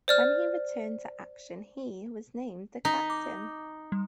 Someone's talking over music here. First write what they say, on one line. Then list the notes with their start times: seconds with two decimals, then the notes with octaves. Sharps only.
When he returned to action he was named the captain.
0.08 C5 D5 F6
2.85 D#4 B6
3.10 D6
3.92 G3